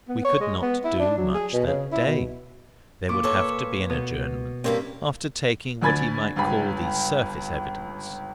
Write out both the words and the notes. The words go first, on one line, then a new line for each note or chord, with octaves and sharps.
We could not do much that day; there would have to be an adjournment, after taking what he might call the surface evidence.
B3
C#5
G#3
B3
E4
D4
F#3
G#4
B2
C#3
E4
B2
A#2 C#6 D6
A4 B4 C#5
B2
G2 A#3 C4 C#4 E4
D2 D3 G#5 B5 G#6 A6
G1 C#2 G#5 B5